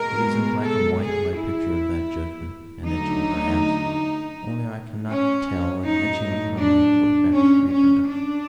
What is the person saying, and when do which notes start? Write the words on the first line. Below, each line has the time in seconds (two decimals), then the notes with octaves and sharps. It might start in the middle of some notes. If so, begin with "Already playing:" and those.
It is in black and white, my picture of that judgement, an etching, perhaps; only I cannot tell an etching from a photographic reproduction.
Already playing: B2 G#3 A#4
0.62 A4
1.00 G#4
1.37 E4
2.86 D3 F#3 A3 D#4
5.09 C#4
5.83 A2 F#3 A3 D#4
6.58 D4
7.32 C#4
7.70 C#4
8.07 D4